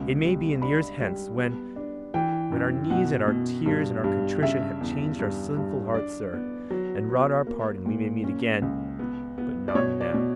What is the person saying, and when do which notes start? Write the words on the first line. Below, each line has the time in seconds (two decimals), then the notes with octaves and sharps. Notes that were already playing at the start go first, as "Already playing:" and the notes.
It may be, in years hence, when--when our knees and our tears and our contrition have changed our sinful hearts, sir, and wrought our pardon, we may meet again--but not now.
Already playing: C#2 B2
0.24 G3
0.62 D4 B5
1.00 G3
1.38 B3
1.76 D4
2.14 E3 G5
2.52 F#2
2.90 B2 F#5
3.28 B2
3.66 G2
4.04 G2
4.42 C#3 E5
4.81 E2
5.19 G2
5.57 G2
5.94 D4 D5
6.33 B3
6.71 F#3
7.10 B3
7.47 A#3
7.86 A#2
8.24 C#4
8.62 C#2
8.99 B3
9.38 B3
9.68 D5
9.75 B2 C#5
10.01 D5
10.14 B2